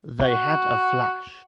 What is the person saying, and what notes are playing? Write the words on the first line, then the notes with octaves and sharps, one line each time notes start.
They had a flash.
F#4